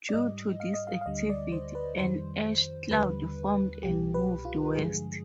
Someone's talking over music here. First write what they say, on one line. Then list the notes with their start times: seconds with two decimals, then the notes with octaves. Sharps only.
Due to this activity, an ash cloud formed and moved west.
0.09 D5
0.14 G#2 G3 D#5
0.60 F5
0.74 D#5
0.87 F5
1.01 F5
1.06 D2 D3 G3 D#5
1.30 D5
1.52 C5
1.75 B4
1.99 F2 D#3 G3 C5
2.91 D#2 D3 G3 B4
3.83 C2 B2 G3 G4
4.14 B4
4.45 F4
4.75 G2 D3 F3 G#3 G#4